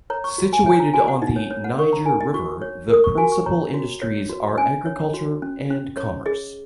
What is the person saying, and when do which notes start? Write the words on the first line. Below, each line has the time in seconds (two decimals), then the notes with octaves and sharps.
Situated on the Niger River, the principal industries are agriculture and commerce.
0.10 C#5 A#5
0.24 C#6
0.38 F#4
0.53 G#5
0.66 C#5 G#5
0.80 A#5
0.94 F#4 G#5
1.08 F#5
1.22 D#4 D#5
1.36 C#5
1.51 C#5
1.64 F#5
1.79 A#4 C#6
1.93 A#5
2.05 D#4 G#5
2.21 D#5
2.34 F#4 C#6
2.62 C#5
2.90 A#4 D#6
3.04 C#6
3.18 F#4 G#5
3.32 C#6
3.46 C#5 A#5
3.74 F#4
4.02 C#5
4.29 F#4
4.58 C#4 G#5
4.86 C#5
5.14 F#4
5.42 C#4
5.70 C#4
5.97 C#5
6.26 G#4 D#5